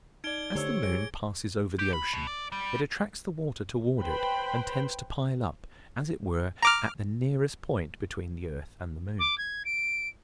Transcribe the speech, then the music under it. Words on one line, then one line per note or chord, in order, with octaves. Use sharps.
As the moon passes over the ocean it attracts the water toward it and tends to pile up, as it were, at the nearest point between the earth and the moon.
D#4 D5 G#6 D7 G7
D3 A3 G4 C5 C#5 E6
G3 G#4 D7
G4
B5
B2
D5
G3
B4 C5 G5 B5
A#5 D6 F6
D6
G#6
D7